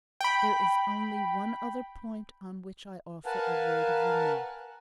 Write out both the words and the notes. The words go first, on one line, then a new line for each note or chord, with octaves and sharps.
There is only one other point on which I offer a word of remark.
G5 B5
A#4 B4 F5 F#5 G#5 A5